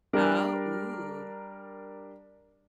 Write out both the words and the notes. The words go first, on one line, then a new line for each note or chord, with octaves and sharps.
Oh Ooh.
G3 D4 A#4 D5